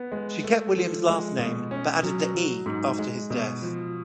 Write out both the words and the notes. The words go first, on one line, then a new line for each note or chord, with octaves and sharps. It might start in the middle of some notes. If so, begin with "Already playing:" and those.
She kept William's last name but added the "e" after his death.
Already playing: B3
G#3
A3
F3
G#3
B2
C#4
F#3
F#3
G#2
G#3
B2
F3